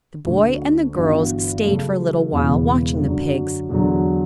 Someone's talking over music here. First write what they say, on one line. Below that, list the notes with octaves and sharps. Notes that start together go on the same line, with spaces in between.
The boy and the girls stayed for a little while, watching the pigs.
D2 D3 A3 C#4
G1 G2 E3 B3 F#4
C#3 F#3 A3
E1 E2 C#3 E3 B3
F#2 D3 F#3
E2 D3 F#3